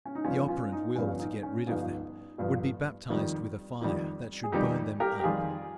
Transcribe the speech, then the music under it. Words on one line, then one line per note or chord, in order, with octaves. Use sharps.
The operant will to get rid of them would be baptized with a fire that should burn them up.
C#4
D#4
G1 G2 F3 C#4 F4
C#4 F4
D#4
G1 G2 F3 C#4
D#4
C#4
G1 G2 F3 D#4
G1 G2 F3
F2 D#3 G3
F2 D#3 G3
G#4
F2 D#3 G3 D#4 G4
G4 A#4
G4
F2 D#3 G3 F4 G#4